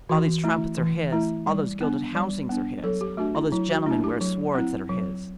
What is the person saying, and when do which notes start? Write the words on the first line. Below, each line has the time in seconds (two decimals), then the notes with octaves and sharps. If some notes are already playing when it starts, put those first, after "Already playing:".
All these trumpets are his, all those gilded housings are his, all those gentlemen wear swords that are his.
0.09 E3 F#4
0.44 A3 E4
0.78 E3
1.12 A3 E4
1.46 G3
1.81 B3 D4
2.15 G3
2.49 B3 D4
2.84 F#3 A4
3.01 G4
3.17 A3 D4 F#4
3.35 E4
3.52 F#3 E4
3.70 F#4
3.86 A3 D4 E4
4.04 G4
4.21 F#3
4.55 C4 E4
4.90 F#3